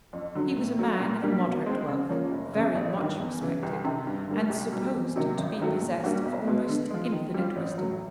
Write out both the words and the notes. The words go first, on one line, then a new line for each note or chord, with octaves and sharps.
He was a man of moderate wealth, very much respected, and supposed to be possessed of almost infinite wisdom.
F2
D3 F#3
A2
F#3 A3
A#2
G3 A#3 D4
B2
G#3 C4
C#3
F3 A#3 C#4
F1
E2 C#3
A1
G2 D#3
E2
C#3 E3
C2
C3 D#3
G2
D3 G3 A#3
C2
B2 G3
E2
C3 D#3 F#3 A#3
G#1
G2 D#3 F#3 A3
A#2
G3 A#3 D4 F#4
B1
B2 G#3 B3
D3
F3 G#3
D#3
G3 C4 F4
A1
A2 F#3